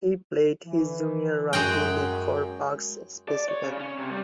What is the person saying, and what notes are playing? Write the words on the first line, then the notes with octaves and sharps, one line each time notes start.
He played his junior rugby league for Parkes Spacemen.
E3
F#2 G#3 F#4 G5
D5
C#5
C#3
C#4
C3
G3